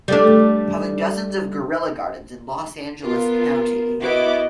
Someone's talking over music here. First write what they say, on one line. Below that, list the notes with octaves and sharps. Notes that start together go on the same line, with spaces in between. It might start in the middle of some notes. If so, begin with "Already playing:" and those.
Having dozens of guerrilla gardens in Los Angeles County.
G3 A3 D4
B3 F4 A#4
B3 E4 F#4 D#5 D6